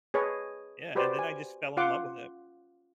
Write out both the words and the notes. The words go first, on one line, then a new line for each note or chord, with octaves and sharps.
Yeah, and then I just fell in love with it.
G#4 B4 C#5 D#5 A5
F#4 G4 B4 C5 D5
G#5
C#4 F4 F5 F#5 C6 D6